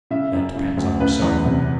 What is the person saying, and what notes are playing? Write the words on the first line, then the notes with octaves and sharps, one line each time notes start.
'That depends on himself.
C#3 E5
F#2
C#3
D2
C#3 B4
E2
C3